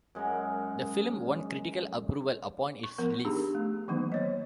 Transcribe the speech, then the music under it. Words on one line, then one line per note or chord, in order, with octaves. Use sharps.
The film won critical approval upon its release.
F#2 G#3 D#4 A#4
C#6
F3 B3 A#4
D4 D#4 G4 G#4
A3
D#3 E3 F#3 A#3 B3 D#4
C5 C#5 D#5